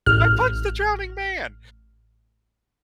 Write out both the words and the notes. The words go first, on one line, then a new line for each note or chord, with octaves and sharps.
I punched the drowning man!
A1 F6